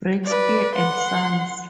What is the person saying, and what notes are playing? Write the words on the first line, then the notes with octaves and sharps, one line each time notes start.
Brakspear and Sons.
B4 D5
F#5 C6